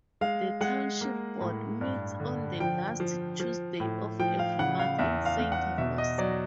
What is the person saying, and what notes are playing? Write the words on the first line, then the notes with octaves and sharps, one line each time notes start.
The township board meets on the last Tuesday of every month in Saint Rosa.
G#3 F5
G#3 F#5
A#3
A2
G2
D3
F3 G5
F3
F3
A2
F3 G5
F5
C#3 F#5
F5
E2 E5
F5
E2
F#5
B2 E5
D#5
F#3 D5